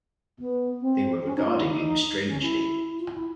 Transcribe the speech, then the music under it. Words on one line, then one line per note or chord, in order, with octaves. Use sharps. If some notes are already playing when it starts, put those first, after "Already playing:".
They were regarding him strangely.
B3
C4
C#4
D#4
F4
E4
D#4
C#4
E4
F4
E4